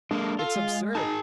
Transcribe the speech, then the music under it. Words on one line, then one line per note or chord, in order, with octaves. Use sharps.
It's absurd!
G#3 A#3 D4
F4 A4
G#3
D#4 G#4 G#5 A5